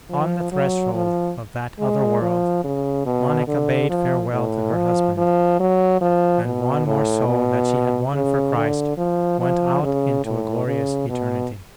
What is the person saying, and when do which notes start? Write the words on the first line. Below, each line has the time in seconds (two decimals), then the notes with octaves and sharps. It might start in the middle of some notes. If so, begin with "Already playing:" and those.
On the threshold of that other world Monica bade farewell to her husband, and one more soul that she had won for Christ went out into a glorious eternity.
0.10 F3
0.52 F#3
0.94 F3
1.79 G#3
2.22 F3
2.64 C#3
3.06 B2
3.48 D3
3.90 F3
4.33 A2
4.74 F3
5.18 F3
5.60 F#3
6.01 F3
6.45 B2
6.86 A2
7.28 B2
8.13 C#3
8.55 D3
8.98 F3
9.40 F3
9.82 C#3
10.24 A2
10.67 C#3
11.09 B2